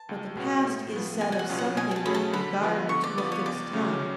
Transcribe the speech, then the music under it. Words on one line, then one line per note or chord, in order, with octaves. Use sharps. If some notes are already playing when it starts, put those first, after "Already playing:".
But the past is said of something with regard to a fixed time.
Already playing: A5
C#2
B2 G#3 C#4 F#4
A2
F3 B3
C#2 G#5
G#5
F#5
B2 F#3 C#4 F4
F#5
B2 G#5
G#5
A5
F#3 A3 C#4 G#4 B5
A5
D3 B5
F3 B3
D3 C#6
D5
F3 B3 D5
C#5
C#2 D5
C#3 F#3 A3 C#4